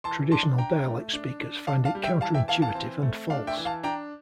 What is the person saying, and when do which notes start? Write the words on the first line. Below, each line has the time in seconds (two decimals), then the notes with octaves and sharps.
Traditional dialect speakers find it counter-intuitive and false...
0.04 E3 A5 C6
0.32 D4 A5 C6
0.58 D4 G5 A#5
0.86 A3
1.13 D4
1.40 D4
1.67 D4 F5 A5
1.85 F5 A5
1.95 G3
2.03 E5 G5
2.21 E3 F5 A5
2.34 E5 G5
2.48 E3 F5 A5
2.62 F5 A5
2.75 C4
3.03 A3
3.30 D4 F5
3.47 E5 G5
3.57 E3
3.65 F5 A5
3.83 D4 G5 A#5